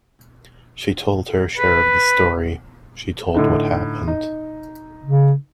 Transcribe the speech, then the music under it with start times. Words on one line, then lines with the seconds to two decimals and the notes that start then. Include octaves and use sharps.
She told her share of the story — she told what happened.
1.57 B4
3.34 A2 D3 D#4
4.07 D#4
5.04 C#3